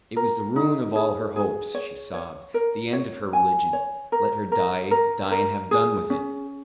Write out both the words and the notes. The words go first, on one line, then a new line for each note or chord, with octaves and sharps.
It was the ruin of all her hopes, she sobbed, the end of her religion. Let her die, die and have done with it!
A#4
D#4
G#4
G#4
C#5
C#5
A#4
C#5
G#5
C#5
A#4
A#4
A#4
A#4
G#4
C#4